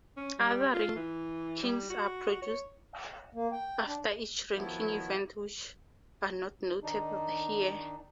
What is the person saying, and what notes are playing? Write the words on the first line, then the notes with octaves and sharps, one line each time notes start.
Other rankings are produced after each ranking event which are not noted here.
C#4
G3
F4
E3
G3
F#4
C#5
A#3
G5
D4
D#3 F3 F#3 B3 E4
D#3 D4 D#4